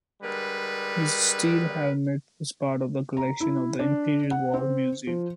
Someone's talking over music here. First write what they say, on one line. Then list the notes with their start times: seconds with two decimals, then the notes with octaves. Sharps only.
His steel helmet is part of the collection of the Imperial War Museum.
0.23 D3 G3 G#3 A#4 B4
3.17 A#5
3.40 E4
3.79 D4
4.31 F#5
4.54 C4
5.07 F3